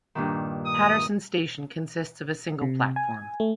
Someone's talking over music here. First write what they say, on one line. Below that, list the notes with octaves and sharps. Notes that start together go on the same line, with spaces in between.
Paterson station consists of a single platform.
G2 A#2 D#3
D#6
C3
G#5
A3